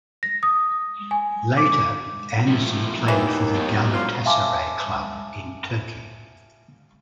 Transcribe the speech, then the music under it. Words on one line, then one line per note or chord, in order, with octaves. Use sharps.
Later, Anderson played for the Galatasaray club in Turkey.
A#6
D#6
G#5
D6
A2 F3
D#2 E3
F#2 B2
D2 F4
E5 F5 G#5 A5 C6 D6